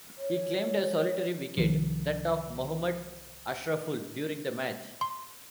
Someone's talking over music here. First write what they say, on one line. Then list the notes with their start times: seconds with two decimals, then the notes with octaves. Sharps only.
He claimed a solitary wicket, that of Mohammad Ashraful during the match.
0.18 C#5
1.57 C2 D#3 F3
5.01 C6